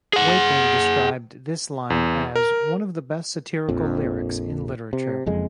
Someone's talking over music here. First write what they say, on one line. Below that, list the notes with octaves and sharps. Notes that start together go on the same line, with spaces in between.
Wakeling described this line as "one of the best satirical lyrics in literature".
G#4 F#5
E2
A#4
A#1 F2
C3
F#1 F2 G#3